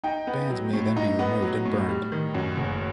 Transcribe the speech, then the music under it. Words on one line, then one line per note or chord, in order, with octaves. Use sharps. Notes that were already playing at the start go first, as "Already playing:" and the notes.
Bands may then be removed and burned.
D#4 G5
B3
F#3
A2
D#4
B3
F#3
A2
G3
D#3
F#2
F#1